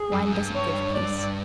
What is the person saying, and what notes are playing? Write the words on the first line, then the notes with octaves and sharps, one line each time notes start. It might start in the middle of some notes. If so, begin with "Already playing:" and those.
Wine doesn't give peace.
Already playing: G#4
F#2
G2
C#5
D5